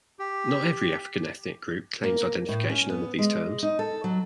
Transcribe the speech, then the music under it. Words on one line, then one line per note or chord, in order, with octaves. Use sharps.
Not every African ethnic group claims identification under these terms.
G4
A#3
A2
C#4
B3
G#3
D#4
A4
F#3